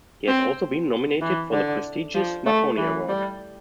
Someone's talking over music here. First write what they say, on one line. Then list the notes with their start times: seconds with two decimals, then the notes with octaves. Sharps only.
He has also been nominated for the prestigious Marconi Award.
0.28 C4
1.22 E3
1.52 D3
2.15 F3
2.46 A3
2.77 E3
3.08 G3